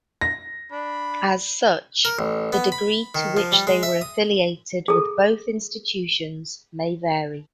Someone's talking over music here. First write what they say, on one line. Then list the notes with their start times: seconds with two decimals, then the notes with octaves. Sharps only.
As such, the degree to which they were affiliated with both institutions may vary.
0.21 A#6
0.72 D4 B5
2.05 A#4
2.19 A1
2.52 B3
2.72 B5
3.15 D#3
3.37 F3
3.52 G3
3.67 G#3
3.83 E5
4.01 D#6
4.88 G#4 A4